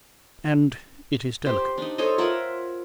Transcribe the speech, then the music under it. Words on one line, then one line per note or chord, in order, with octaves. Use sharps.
"And it is delicate."
G4 C5
D4 D#4
A4 C5 C#5 D#5
F4 A#4 E5 F#5